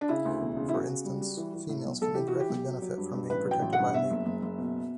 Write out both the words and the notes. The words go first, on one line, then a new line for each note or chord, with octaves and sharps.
For instance, females can indirectly benefit from being protected by a mate.
D4
C#3 E4
D2
E1
C#3
E4
C#3 F#4
C#3
G3
G3
E3
E3
A2
B1
B1 A4
E3 G4
F#4
E3
G4
B1
F#3
F#3
G2
G2
A1 B4
F#3
G5
A1
F#5
G2
B2 E5
F#1
F#1
F#1
B2